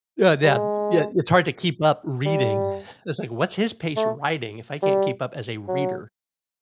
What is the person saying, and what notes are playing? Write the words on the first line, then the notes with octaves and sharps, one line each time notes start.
Uh, Yeah, yeah, it's hard to keep up reading, it's like, what's his pace writing, if I can't keep up as a reader?
G3
G#3
G3
A3
G3
F#3